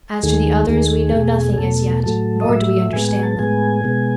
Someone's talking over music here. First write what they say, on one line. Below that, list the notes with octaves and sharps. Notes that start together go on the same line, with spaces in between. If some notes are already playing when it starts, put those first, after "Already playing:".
As to the others we know nothing as yet, nor do we understand them.
D#2 D#3 A3 G#4
D#2 D#3 A3 G#4
E2 B2 A3
G#4
E2 B2 A3 A4
A2 F#3 A3 A4
D#5
A2 F#3 A3 E5
A2 G#3 B3 G#5
G#5
A5
A2 G#3 B3 G#5
B2 G#3 B3